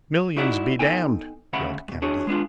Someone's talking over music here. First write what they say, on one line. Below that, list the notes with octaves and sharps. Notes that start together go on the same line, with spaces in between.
"Millions, be damned!" yelled Kennedy.
D#4 E4 F#4 D5 E5 F#5
B3 D#4 A4 G5 G#5
D2 C#3 C#4 E5 F#5 B5
G2 B2
D4 F#4 G#4 C#5
G#3 B3 D4 F4